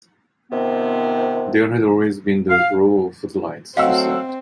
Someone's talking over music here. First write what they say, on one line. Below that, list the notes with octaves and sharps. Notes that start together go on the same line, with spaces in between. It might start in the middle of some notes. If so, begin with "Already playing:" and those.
"There had always been the row of footlights," she said.
C3 D#3 F3 B3 C4
F5
F#3 A3 C4 F#4 D#5 F5 F#5 E6